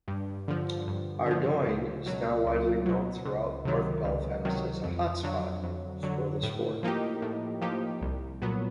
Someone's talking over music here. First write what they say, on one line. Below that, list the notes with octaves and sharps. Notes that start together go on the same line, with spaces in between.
Ardoyne is now widely known throughout north Belfast as a hotspot for the sport.
G2
D3 F3
G2
D3 F3
C#2
B2 F#3
C#2
B2 F#3
C#2
C3 D#3 F#3
C#2
C3 D#3 F#3
F2
D3 F#3
F2
D3 F#3
A2
F3 A#3 D#4 G4
A2
F3 A#3 D#4 G4
C2
A#2 F#3 B3